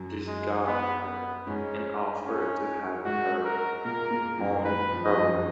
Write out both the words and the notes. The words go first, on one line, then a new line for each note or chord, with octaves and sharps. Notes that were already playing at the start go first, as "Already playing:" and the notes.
This got her an offer to have her own program.
Already playing: F#2 F#3
G#3
B3
B3
G#2 G#3 C#4
C#4
G#2 G#3 F#4
A#4
A#2 A#3 A#4
A#2 A#3
F#2 F#3
D#3 B4
F2 F3
D#5
F#2 F#3